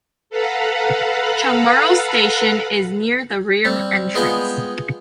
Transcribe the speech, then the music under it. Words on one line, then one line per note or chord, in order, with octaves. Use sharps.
Chungmuro Station is near the rear entrance.
A4 B4 F5 F#5 A#5 B5
G3 C4
G#3 B3 F4 G#4 B4 G5